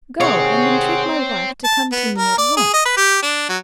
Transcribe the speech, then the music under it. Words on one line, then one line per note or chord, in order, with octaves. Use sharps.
"Go and entreat my wife to come to me at once."
C3 D#3 C4 G#4 C#5 F#5
A5
B3
A#4
D5
G#4
D#5
B4
G4
D4
F#3